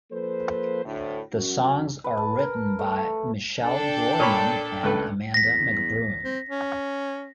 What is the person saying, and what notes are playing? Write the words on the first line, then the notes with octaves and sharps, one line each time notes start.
The songs are written by Michelle Brourman and Amanda McBroom.
F3 A#3 A4 B4 C5
D2 A2
F#2 F#4
B4
A5
A#4
A3
D4 A4 G5
A#2 C#5 B5
C#2 A3 B4
E2 A#6 B6
C4
C#4